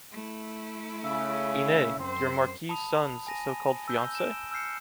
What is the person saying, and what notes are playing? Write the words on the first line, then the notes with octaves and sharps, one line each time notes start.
Inès, your Marquis son’s so-called fiancé?
A3 E4
C#3 E5
F#2 C4 C5
A5 B5 D#6 F7
G#5 A#6 D#7
E6 G6 G7
D7 E7
E6 F6 G6 C7 C#7